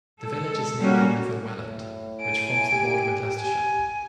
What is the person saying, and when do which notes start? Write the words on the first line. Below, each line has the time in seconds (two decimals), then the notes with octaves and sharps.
The village is near the River Welland, which forms the border with Leicestershire.
0.23 G#3 A4
0.79 G3 G#3 A#3 C#4 F#4
1.56 A2
2.22 G#5 D7
2.73 G4
3.37 G#5